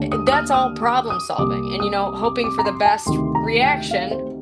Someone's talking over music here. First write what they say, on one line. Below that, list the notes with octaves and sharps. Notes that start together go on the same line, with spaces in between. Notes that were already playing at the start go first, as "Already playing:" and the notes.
e that's all problem solving, and, you know, hoping for the best reaction
Already playing: D#2 D3 A3 D4
D#6
D#6
F6
D#6
D6
D#6
C2 C3 G3 A#3 D6
D#6
D6
D6
A#5
C6
A5
D2 C3 D#3 A3 D#4 C6
A#5
G5
F5
C5